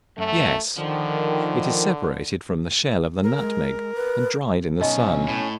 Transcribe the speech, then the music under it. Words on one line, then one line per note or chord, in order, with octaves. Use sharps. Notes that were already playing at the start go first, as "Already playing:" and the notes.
Yes, it is separated from the shell of the nutmeg, and dried in the sun.
F#2 A3
D3 D#3 F3
A#4
G#3
B4
B1 B2 C#4 D#4 D#5
A2